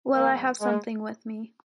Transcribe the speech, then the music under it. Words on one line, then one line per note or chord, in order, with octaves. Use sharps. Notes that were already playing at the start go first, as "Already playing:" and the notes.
Well I have something with me.
G#2 F3 A#3
G#3